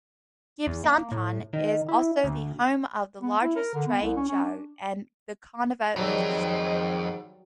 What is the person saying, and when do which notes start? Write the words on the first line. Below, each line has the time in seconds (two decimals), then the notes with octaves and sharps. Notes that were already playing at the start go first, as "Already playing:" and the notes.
Gibsonton is also the home of the largest trade show in the carnival industry.
0.67 E2
0.84 A#3
1.12 A2
1.53 D#3
1.88 E4
2.24 D2
3.22 B3
3.42 E4
3.56 A#4
3.74 D3
3.87 B3
4.02 C2
4.16 C#4
4.29 C#4
4.42 D4
5.96 F2 G#2 D#3 F#3 G3